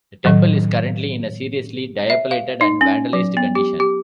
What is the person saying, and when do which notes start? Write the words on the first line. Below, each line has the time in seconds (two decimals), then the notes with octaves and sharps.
The temple is currently in a seriously dilapidated and vandalised condition.
0.25 A2 D#3 F#3
2.10 E5
2.31 F5
2.61 D#4
2.81 C#4
3.13 F#3
3.37 B3
3.55 G4
3.80 G4